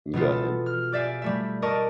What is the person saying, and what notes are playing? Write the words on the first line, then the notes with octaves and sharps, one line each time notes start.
Go ahead.
B2 E3 B3 F4
A4
F6
G4 D5 E5 F5 G#5
G3 A3 E5
A#4 D5 D#5 A5 C#6